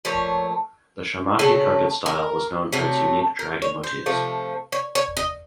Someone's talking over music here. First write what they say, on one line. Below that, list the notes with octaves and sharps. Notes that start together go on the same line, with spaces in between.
The Shamakhi carpet style was known for its unique dragon motifs.
A#2 F3 A3 C#5
C#3 F#3 A3 A4
A#4
C3 F#3 A3
A#4
C#5
C5
C3 F3 A3
C#5
C#5
D#5